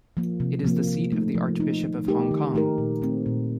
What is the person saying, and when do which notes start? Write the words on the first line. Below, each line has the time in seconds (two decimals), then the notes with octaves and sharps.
It is the seat of the Archbishop of Hong Kong.
0.17 F3 A#3
0.40 C3
0.64 F3 A#3
0.87 F3
1.12 A3 D#4
1.35 F3
1.60 A3 D#4
1.83 D#3
2.07 A3 D#4 G4 A#4
2.31 D#3
2.55 A3 D#4 G4 A#4
2.78 A#2
3.02 A3 C4
3.26 A#2